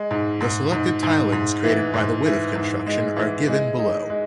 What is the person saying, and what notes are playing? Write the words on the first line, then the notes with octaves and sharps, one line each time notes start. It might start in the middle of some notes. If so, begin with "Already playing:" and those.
Selected tilings created by the Wythoff construction are given below.
Already playing: G#3
G#2
G#2
G#2
G#2
G#2
E3
G#2
E3
G#2
G#3
E3
G#3
D#4
G#3